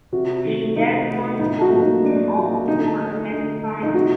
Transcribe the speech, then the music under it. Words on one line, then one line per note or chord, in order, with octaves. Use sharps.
She then won gold in all four event finals.
C3 F#4
D#3 A3
C3 D#4
D#3 A3
A2 D#4
F#4
F#3 A#3
D#4
A2 D4
F#3 A#3
D3 D#4
A3
D3
A3
D#4
C3 F#4